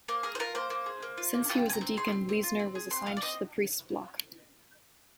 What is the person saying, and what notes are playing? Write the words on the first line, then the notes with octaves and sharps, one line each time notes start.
Since he was a deacon, Leisner was assigned to the priests' block.
A#3 C5
G#4 A#4
C5
F4 A#4
A#3 C5
A#3
G#4
A#3
F4
A#3
F4 G5
C4 G#5
A#5
C4
G#4 C6
C4
C4
F4
C4
G#4
C4 C6
C4 F5
D5
C4 D#5